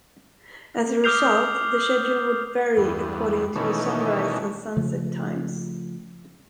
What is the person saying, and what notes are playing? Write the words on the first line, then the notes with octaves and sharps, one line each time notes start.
As a result, the schedule would vary according to sunrise and sunset times.
D6 D#6 F6 G6 C7 F7
E2 G2
B2 D#3 E3 A3 C#4
C#3 F3 A3